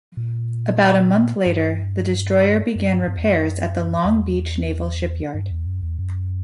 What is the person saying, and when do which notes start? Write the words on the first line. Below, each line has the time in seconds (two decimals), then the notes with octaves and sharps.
About a month later, the destroyer began repairs at the Long Beach Naval Shipyard.
0.17 A#2
1.46 G2
2.75 F#2
2.91 G2
3.08 G2
3.17 E2
3.24 F#2
4.05 E2
5.34 G2
5.51 E2
5.66 F#2
5.82 E2
5.99 F#2